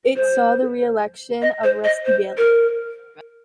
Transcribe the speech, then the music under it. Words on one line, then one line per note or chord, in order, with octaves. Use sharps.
It saw the reelection of Rusty Bailey.
C5
D#5
C5
D#5
C5
A#4